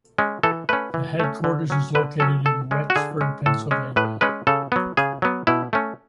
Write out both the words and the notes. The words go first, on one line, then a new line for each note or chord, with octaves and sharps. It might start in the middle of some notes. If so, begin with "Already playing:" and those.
The headquarters is located in Wexford, Pennsylvania.
G#3 C#4
E3 A4
A3 C#4 B4
E3
A3 C#4
D3
F#3 C#4
D3 B4
F#3 C#4 A4
D3 A4
G#3 C#4
F#4
D3 G#4
G#3 C#4
A2 A4
G#3 C#4
A2 B4
G#3 C#4 B4
C#3 A4
F#3 B3
C#3 G#4
F#3 B3
B2 E4
A3 C#4